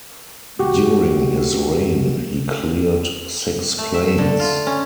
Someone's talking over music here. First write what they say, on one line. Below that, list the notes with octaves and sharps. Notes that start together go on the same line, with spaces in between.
During his reign he cleared six plains.
F#4 G4
A3
E5
D3
F4
C#4